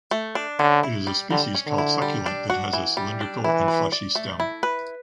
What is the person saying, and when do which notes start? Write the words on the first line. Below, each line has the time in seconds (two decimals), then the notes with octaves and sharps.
It is a species called succulent that has a cylindrical and fleshy stem.
0.11 A3
0.35 D4
0.59 D3 C#4
0.83 E4
1.07 G3
1.31 D3 G3
1.55 C#4
1.67 D3
1.78 E4
2.02 G3
2.26 D4
2.50 F#4
2.73 E3
2.97 G3
3.21 D4
3.44 E3 E4
3.68 B4
3.92 D5
4.15 A3
4.40 E4
4.63 B4